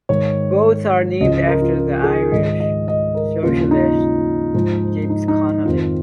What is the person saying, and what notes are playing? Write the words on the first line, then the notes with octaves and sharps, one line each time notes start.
Both are named after the Irish socialist James Connolly.
G#2 D#3 C#5
C#2 C#3 F3 D#5
D#5
A#4
F4
G#4
G#2 D#3 D#5
D#5
D#5
A#4
D#2 C#3 F3 F4
D#4
G#2 F3
D#4
D#4
D#4
F2 D#3 F4